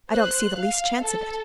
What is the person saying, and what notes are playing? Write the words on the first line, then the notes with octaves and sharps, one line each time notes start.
I don't see the least chance of it.
C5 F#6
F5
A4